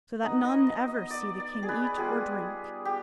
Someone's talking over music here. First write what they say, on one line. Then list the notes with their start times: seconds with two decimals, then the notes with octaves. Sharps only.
So that none ever see the king eat or drink.
0.23 B3 D#4 D#5
0.45 D#5
0.67 D#5
0.88 D#5
1.10 D5
1.40 D5
1.63 G#4
1.69 B4
1.97 G3 B3 F4 G#4
2.85 G4